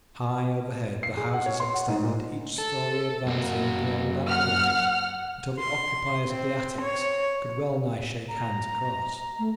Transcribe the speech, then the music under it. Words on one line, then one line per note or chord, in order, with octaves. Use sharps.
High overhead the houses extended, each story advancing beyond that below it until the occupiers of the attics could well-nigh shake hands across.
C7
G#4
F#5
C#5
C6
F#5
G#2
A#2
A4
F#2 A#3 F#4
F#5 F6
C6
C4
C#5
A#5
A3